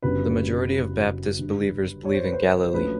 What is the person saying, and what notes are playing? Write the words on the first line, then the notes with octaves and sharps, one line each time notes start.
The majority of Baptist believers live in Galilee.
F#1 F#2 D3 G3 B3 B4
G2 D3 G3
C#5
C5
B4
C5
C5
A#1 A#2 F#3 A3 C#4 B4